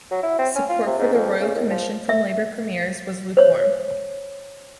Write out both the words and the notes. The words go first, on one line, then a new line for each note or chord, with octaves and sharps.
Support for the royal commission from Labor premiers was "lukewarm".
F#3
E4
C4
C#4
F4
C3
G#2
F2
C#3
D#2
F3
E5
C5 C#5